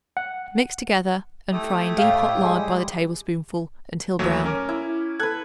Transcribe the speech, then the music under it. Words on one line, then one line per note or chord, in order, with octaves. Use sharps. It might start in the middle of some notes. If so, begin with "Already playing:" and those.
Mix together and fry in deep hot lard by the tablespoonful until brown.
F#5
A3 E4 G4 D#6
A2 F5 G5
G3 G#3
D#2 F#3 A3
C#4 A#4 D6
E4
A4 B4 F#6 G#6